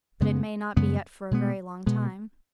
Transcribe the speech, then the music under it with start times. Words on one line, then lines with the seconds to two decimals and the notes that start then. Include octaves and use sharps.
"But it may not be yet for a very long time."
0.20 F#2 C#3 G#3 B3
0.76 F#2 C#3 G#3 B3
1.31 B2 G#3 B3
1.86 B2 G#3 B3